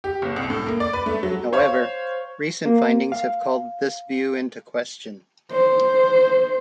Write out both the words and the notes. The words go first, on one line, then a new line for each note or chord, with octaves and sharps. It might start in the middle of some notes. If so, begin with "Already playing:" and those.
However, recent findings have called this view into question.
G4
F#1
C2
A2
A#3
D5
B4
A3
F#3
C5 C#5 F5 C#6
A#3
F5
C5